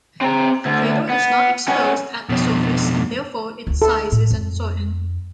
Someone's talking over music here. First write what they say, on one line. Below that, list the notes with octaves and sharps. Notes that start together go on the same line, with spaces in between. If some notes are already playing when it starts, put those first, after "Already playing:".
The crater is not exposed at the surface and therefore its size is uncertain.
C4 A#5
D2
B3
B3 C#4
F2 B2
D2 E4
A4
A2
F2